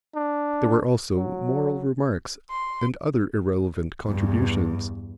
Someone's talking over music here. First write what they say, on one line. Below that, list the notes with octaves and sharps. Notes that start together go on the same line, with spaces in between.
There were also moral remarks and other irrelevant contributions.
D4
F#3
C6
E2 G2